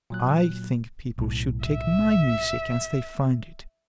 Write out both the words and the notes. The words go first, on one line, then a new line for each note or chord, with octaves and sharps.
I think people should take my music as they find it.
A#2 F#3 F#6
B1 A2
E5